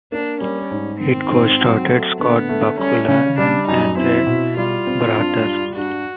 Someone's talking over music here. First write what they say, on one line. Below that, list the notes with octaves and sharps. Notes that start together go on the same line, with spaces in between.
It co-starred Scott Bakula and Andre Braugher.
A#3 D4
G3 C#4
G#2
D#3 C4
G#2
F#3
A3
D3 B3
A3
G3 C#4
C#3 C#4
G3 D4
F#2 D#4
C4 E4
B2
G3 F4
C4
G2
G3
G2 F#4